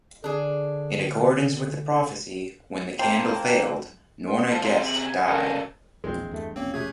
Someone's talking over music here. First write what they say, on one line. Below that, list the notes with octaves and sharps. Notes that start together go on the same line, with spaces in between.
In accordance with the prophecy, when the candle failed, Norna-Gest died.
D3 D4 G#4
A#3 C4 C5 G5 A5
C6
F4 A4 C5
C3 G#4 A#5 C6
F#7
G#5
C#3 A4 A#4
A#1 E2 G#3 C4
E2 G2 A3
E1 A#1 A#3 C4 C#4
C3 A3 G#4 G#6